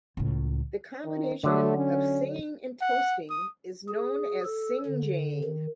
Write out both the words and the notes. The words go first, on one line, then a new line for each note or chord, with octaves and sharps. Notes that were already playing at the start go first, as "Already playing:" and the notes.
The combination of singing and toasting is known as singjaying.
C#2 A2
D#3
D3 F#3 A3
C#4
F#5
D#6
G#4
A4
D3
D#3